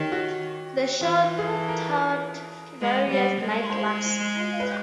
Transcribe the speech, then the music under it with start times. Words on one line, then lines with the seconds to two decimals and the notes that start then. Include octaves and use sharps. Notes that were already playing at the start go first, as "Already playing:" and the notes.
The show toured various nightclubs.
Already playing: D#3 G4 C#5
0.12 F#4
1.01 E3 F4
1.38 G#4
1.47 A4
1.68 A#4
1.91 B4
2.81 G#3
3.10 G3
3.40 G#3
3.70 C5
4.60 B4